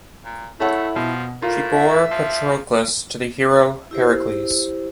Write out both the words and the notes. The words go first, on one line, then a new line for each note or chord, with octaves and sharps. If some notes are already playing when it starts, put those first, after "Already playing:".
She bore Patroclus to the hero Heracles.
A#2
A3 E4 A4 C#5 F#5
B2 F3
A2 F4 A#4
E5
F3
E4 G4 C5